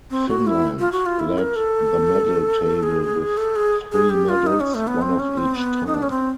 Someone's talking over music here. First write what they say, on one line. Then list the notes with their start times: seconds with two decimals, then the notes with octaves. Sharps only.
Finland led the medal table with three medals, one of each type.
0.11 C4
0.29 F#4
0.47 E4
0.79 F4
0.92 F#4
1.06 F4
1.19 E4
1.38 A#4
1.56 A4
2.83 G#4
3.37 A4
3.56 G#4
3.92 G#4
4.10 G4
4.29 F4
4.47 D#4
4.60 C#4
4.75 A3
4.87 B3
5.02 C4
5.19 C#4
5.37 C4
5.55 B3
5.87 D#4
5.94 D4
6.02 C#4
6.10 C4